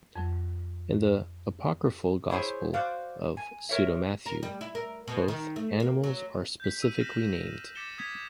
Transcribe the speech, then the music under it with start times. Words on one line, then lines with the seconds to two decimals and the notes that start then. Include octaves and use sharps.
In the apocryphal Gospel of Pseudo-Matthew, both animals are specifically named.
0.15 F2 F#3
2.30 E4 G#4 C5 C#5
2.74 F#4 C5 D5 F5
3.37 G#5
3.69 A#4 C#5 E5
4.26 A#4
4.43 G3
4.61 E4
4.75 A#4
5.08 B2
5.28 D#3
5.56 A3
5.80 A#3
6.04 F#3
6.60 G6 B6
6.80 E6 D#7
7.01 F6 A#6 B6 E7
7.75 D6 A6 B6 C#7 E7 G7
7.98 D#6 G#6 B6